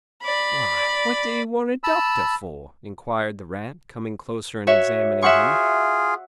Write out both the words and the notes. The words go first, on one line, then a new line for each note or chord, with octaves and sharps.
'Why, what do you want a doctor for?' inquired the Rat, coming closer and examining him.
D5 B5
A5 B5 E6
F#4 C#5 E5
F4 G#4 E5 F#5 C#6